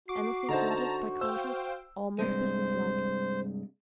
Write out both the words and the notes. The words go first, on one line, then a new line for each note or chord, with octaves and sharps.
Annesley thought it, by contrast, almost businesslike.
F#4 D6 C7
D3 D#4 C5 A5 A#5
C5 F5 G5 E6
G2 C3 G#3 C5